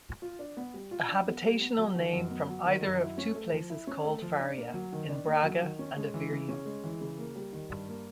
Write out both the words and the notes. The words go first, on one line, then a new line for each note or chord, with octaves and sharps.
A habitational name from either of two places called Faria, in Braga and Aveiro.
F4
D4
B3
G3
F4
D4
B3
G3
B3
F#3
D#3
F#2
B3
F#3
D#3
F#2
E4
C#4
A3
F3
E4
C#4
A3
F3
D4
A#3
F#3
D#3
D4
A#3
F#3
D#3
C#4
G#3
E3
C#3
C#4
G#3
E3
C#3
A#3
G3
D#3
G2
A#3